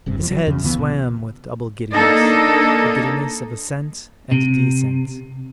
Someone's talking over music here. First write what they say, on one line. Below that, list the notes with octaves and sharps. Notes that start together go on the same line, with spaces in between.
His head swam with double giddiness--the giddiness of ascent and descent.
F1 G2 C3
E2 F3
F#3
E2 C#3
C#2 C#3 E3 B3
B2
A#3 D4 D#4 A4 D#5
C3